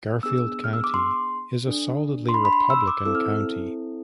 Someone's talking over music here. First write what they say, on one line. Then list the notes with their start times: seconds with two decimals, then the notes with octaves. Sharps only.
Garfield County is a solidly Republican county.
0.23 B3 D4 G#4 E6
0.64 F6
0.73 E6
0.84 D6
0.94 C6
1.65 D4 A4
2.29 C6
2.34 B5
2.45 B5
2.53 C6
2.70 E6
2.88 D6
3.05 C4 E4 A4 E6
3.15 F6